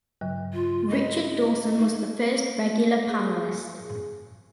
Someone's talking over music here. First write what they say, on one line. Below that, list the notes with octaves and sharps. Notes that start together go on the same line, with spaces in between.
Richard Dawson was the first regular panelist.
G2 C#3 F#3
F4
C#4 E4 D#5
A#3 D#4
G#4